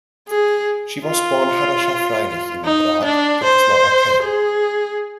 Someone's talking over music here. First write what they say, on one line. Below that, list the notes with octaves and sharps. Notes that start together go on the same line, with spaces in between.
She was born Hadassah Freilich in Prague, Czechoslovakia.
G#4
F4
D#4
D4
C5
G#4